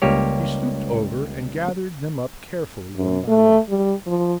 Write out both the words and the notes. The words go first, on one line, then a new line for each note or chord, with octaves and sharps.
He stooped over and gathered them up carefully one by one.
C#2 G3 A#3 G4 C#5
F#2
A3
G3
F3